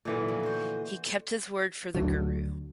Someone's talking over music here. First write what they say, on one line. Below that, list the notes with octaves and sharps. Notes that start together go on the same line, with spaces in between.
He kept his word for the guru.
A#2 D3 E3 F#3 B3
F2
F#4 C5
D#5
D2 D3 F#3